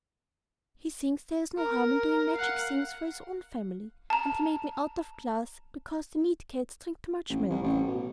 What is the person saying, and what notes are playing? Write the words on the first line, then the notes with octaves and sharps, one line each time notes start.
He thinks there's no harm in doing magic things for his own family, and he made me out of glass because the meat cats drink too much milk.
A#4
F5 F#5
A5 A#5
A1
C2
A1
B2